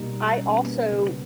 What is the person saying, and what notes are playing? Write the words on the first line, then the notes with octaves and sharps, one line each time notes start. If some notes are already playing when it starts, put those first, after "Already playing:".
I also
Already playing: B2 G3 A#3 D#4
C#4
B3
A#3
B3
C#3 G#3 C#4